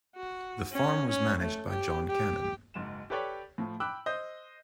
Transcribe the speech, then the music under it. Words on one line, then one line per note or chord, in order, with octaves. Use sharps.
The farm was managed by John Cannon.
F#4
C#4
C#4
A3
G4
G4
F#1 G#2 E7
G4 A4 B4 C#5 D5 G5
A2 F3
G5 B5 D6 E6 F#6
C5 D#5 G6